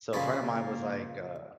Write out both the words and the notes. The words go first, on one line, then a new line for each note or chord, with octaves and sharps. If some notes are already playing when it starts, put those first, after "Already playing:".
so, a friend of mine was, like, uh
A#2 C#3 F3 C#4 F5 B5
A#3